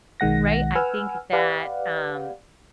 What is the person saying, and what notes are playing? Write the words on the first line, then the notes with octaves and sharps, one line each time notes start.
right? I think that, um,
B1 D#3 G#3 F#5 A#6
B4 F#5 G#5 E6 F6
G4 B4 D5 F5 F#5